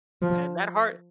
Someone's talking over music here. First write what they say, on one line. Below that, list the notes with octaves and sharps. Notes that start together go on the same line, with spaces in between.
And that hard
F3